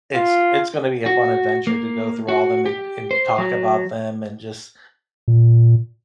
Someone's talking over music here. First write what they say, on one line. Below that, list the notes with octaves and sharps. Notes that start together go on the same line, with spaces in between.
it's it's gonna be a fun adventure to go through all of them and and talk about them and just
F4
F#4
A#3
F#4
G4
C5
F#3
A#2